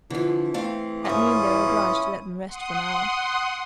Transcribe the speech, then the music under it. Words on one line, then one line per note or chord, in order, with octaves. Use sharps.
At noon they were obliged to let them rest for an hour.
D3 E3 F3
A3 C4 F5
G#2 C#4 E4 F4 E5 D#6
F#5 C6 D#6